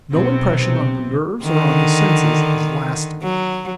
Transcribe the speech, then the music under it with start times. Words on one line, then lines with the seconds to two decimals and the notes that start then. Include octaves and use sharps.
No impression on the nerves or on the senses is lasting.
0.11 B1 C3 B3 C4
1.45 D3 D#3
3.23 F#3